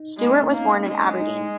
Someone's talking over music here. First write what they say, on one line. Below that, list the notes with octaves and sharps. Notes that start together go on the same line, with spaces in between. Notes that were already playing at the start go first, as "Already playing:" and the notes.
Stewart was born in Aberdeen.
Already playing: D#4
G#3
A#3
C4
C#4
A#3 D#4
G#3
D#4